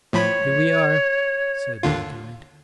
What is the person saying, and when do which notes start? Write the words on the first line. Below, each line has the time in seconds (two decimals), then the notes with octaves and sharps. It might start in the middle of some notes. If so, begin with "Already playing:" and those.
"Here we are," said my guide.
0.13 A2 F3 C#5 B5
1.83 D#2 D3 F4